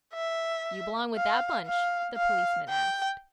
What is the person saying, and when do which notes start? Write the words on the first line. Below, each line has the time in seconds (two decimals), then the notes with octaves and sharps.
"Do you belong with that bunch?" the policeman asked.
0.14 E5
1.16 F5
1.67 F5
2.17 F5
2.69 G5